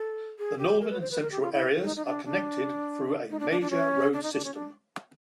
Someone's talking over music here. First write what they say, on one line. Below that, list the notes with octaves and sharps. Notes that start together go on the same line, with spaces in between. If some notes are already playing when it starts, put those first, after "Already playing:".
The northern and central areas are connected through a major road system.
Already playing: A4
G#4
G4
A#4
B4
C5
B4
A#4
G4
F4
E4
D#4
D#4
D4
D4
D#4
D4
D4
D4
C#4
D4
D#4
D4
C#4
D4